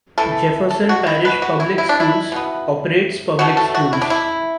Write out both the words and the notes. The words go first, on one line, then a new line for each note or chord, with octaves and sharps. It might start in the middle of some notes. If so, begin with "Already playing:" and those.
Jefferson Parish Public Schools operates public schools.
E3 A3 A4
A4
F#4
E4
B2 B3 B4
F#4
E4
E4
D4
E4
B2 B3
B2 F#3 A3 F#4
A4
F#4
E4
D4
E4